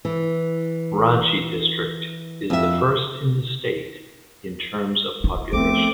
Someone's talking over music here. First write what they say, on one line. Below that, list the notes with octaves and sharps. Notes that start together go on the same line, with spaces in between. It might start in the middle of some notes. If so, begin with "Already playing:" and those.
Ranchi district is the first in the state in terms of population.
E3
F2 E5
E4
F3 A3 B3 C4 D6